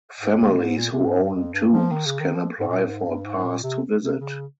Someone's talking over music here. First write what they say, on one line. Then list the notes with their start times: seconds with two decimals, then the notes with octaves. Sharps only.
Families who own tombs can apply for a pass to visit.
0.20 G#2
0.38 C3
0.58 G#2
0.77 A#2
0.92 C3
1.05 G#2
1.20 G2
1.34 F2
1.53 G2
1.72 F3
1.92 D#3
2.06 C#3
2.20 D#3
2.35 F3
2.59 G#2
2.68 A#2
2.86 G#2
3.06 G2
3.25 G#2
3.37 G#2
3.43 A#2
3.63 C3
4.01 C3
4.20 C#3